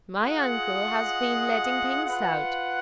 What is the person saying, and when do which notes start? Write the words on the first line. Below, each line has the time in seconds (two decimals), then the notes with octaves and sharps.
'My uncle has been letting things out.
0.20 F4 G#4 D#5 F#5
2.04 F4 B4 F#5